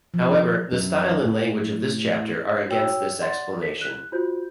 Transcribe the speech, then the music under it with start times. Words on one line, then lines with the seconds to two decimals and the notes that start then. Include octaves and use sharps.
However, the style and language of this chapter are against this explanation.
0.14 F3
0.72 F#2
1.23 A2
2.68 F#4 C#5 G5 E6
3.20 D5 F#5 C6 A6
3.61 A4 A#4 B6
3.81 F#6
4.12 F4 F#4 C5 G6